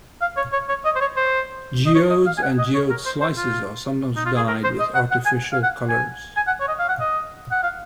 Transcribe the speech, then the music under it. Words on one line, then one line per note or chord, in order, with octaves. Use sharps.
Geodes and geode slices are sometimes dyed with artificial colors.
F5
C#5
C#5
C#5
D#5
C5
C#5
C5
D#5
C#5
D#5
F5
G#5
F#5
D#5
C#5
A#4
C5
C5
F4
D#4
F4
G#4
A#4
C5
D#5
F#5
F#5
G#5
F5
F#5
G#5
G#5
F#5
C#5
D#5
F5
F#5
D#5
F#5
F5